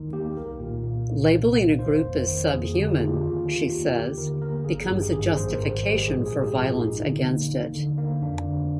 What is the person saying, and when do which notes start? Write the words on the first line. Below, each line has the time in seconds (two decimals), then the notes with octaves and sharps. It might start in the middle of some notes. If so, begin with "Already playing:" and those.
Labeling a group as subhuman, she says, becomes a justification for violence against it.
Already playing: D#2 D#3 D#4
0.13 A#3 G4
0.37 C2 A#4
0.60 A#2
0.84 A#3
1.08 C2
1.32 C3
1.55 A#3
1.79 G1 C5
2.03 F2
2.27 D#3
2.51 F2 G#4
2.74 D3 G4
2.98 A#3 F4
3.14 G4
3.22 D#2 F4
3.46 D#3
3.69 D#2 G4
3.94 D#2 G4
4.18 D3 A#4
4.41 A#3 A#4
4.65 G#1 G#4
4.89 G2 G4
5.12 G#1 G#4
5.36 A#1 C5
5.55 G#2 A#4
5.72 G#4
5.83 G#3
5.89 G4
6.07 A#1 G#4
6.26 G#4
6.31 G#2
6.43 G4
6.55 A#1
6.62 F4
6.79 D#2 D#4
7.03 D3
7.26 A#3
7.51 D#2
7.75 D3
7.98 A#3
8.22 F2 D4
8.46 D3